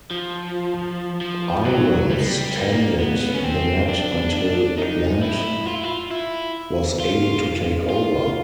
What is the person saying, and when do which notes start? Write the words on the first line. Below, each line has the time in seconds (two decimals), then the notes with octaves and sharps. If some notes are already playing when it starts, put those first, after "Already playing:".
Irons tended the net until Plante was able to take over.
0.11 F3
1.21 F3
1.66 F#3
2.10 G3
2.19 G#3
2.28 G3
2.55 A#3
2.99 B3
3.34 C#4
3.44 C4
3.89 D4
4.33 D4
4.78 D#4
5.23 E4
5.66 F4
5.75 E4
5.84 F4
6.11 E4
7.00 F4
7.90 F4